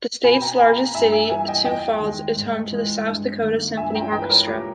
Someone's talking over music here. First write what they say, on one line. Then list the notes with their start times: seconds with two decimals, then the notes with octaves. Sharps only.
The state's largest city, Sioux Falls, is home to the South Dakota Symphony Orchestra.
0.24 B2 G#5 B5
0.41 G5 A#5
0.59 A#3 G#5 B5
0.77 G5 A#5
0.94 G2 E5 G#5
1.12 E5 G#5
1.30 E3 G3 E5 G#5
1.48 D#5 G5
1.65 E2 D#5 G5
2.01 D#3 G#3
2.36 G#2
2.71 E3 G#3
3.07 G2
3.42 D#3 A#3
3.77 G2 E5 G#5
3.95 G5 A#5
4.12 E3 G#3 G5 A#5
4.22 B4
4.29 A#4 C#5
4.47 A#2 G4 A#4